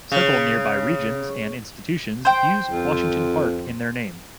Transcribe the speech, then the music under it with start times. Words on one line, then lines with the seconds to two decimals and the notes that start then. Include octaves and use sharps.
Several nearby regions and institutions use Washington Park in their name.
0.12 C#3
2.25 C5 G5
2.71 F2